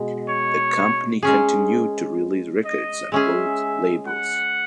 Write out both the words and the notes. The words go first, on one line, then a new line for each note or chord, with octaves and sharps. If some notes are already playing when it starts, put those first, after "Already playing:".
The company continued to release records on both labels.
Already playing: B2 G#3
C#5
G#3 C#4 G#4
D#5
G#3 C#4 G#4 E5
F#5